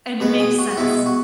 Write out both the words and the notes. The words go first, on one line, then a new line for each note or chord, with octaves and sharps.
and it makes sense.
B2 G#3 B3 B4
G#4
F#4
F#4
B2 G#3 B3 E4
F#4